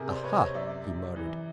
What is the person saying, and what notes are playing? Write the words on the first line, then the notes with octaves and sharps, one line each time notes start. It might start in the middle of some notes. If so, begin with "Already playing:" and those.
"Aha!" he muttered.
Already playing: C3 G#4 A#4
C5 D5
C3 B4 C#5
C#5 D#5
F#2 D5 E5
F#2
E3